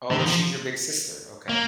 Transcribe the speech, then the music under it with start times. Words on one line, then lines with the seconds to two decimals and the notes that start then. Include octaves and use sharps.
Oh, she's your big sister, okay.
0.11 D3
0.19 D#3
0.27 F3
1.49 A#3